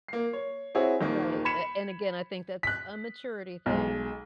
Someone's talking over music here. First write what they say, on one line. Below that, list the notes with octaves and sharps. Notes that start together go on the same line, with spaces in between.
Right, a and again, I think that's a maturity thing.
A#3 C7
C#5
C4 E4 F#4 G#4 C#5
D#1 D#3 A#3
B5 G#6 B6 C#7 E7
F#6 B6
B1 G#3